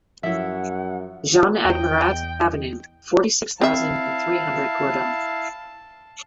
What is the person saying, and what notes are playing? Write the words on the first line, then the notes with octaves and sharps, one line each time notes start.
Jean Admirat avenue, forty-six thousand and three hundred Gourdon.
F#2 F3 E4 A4 C#5 E5 F#5
E2 D#5 G5
C4 E4 E5 F5 A5